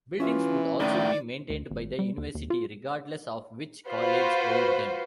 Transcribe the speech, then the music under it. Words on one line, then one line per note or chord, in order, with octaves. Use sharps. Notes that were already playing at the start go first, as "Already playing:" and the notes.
Buildings would also be maintained by the university regardless of which college owned them.
E3 C#4 F4 E5
A2 D#3 D5
D2
G#1
G3
D#2
D#2
F4
F4 F#4 B4 C5